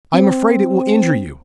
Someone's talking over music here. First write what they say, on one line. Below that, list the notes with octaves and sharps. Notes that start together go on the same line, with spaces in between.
"I am afraid it will injure you."
C4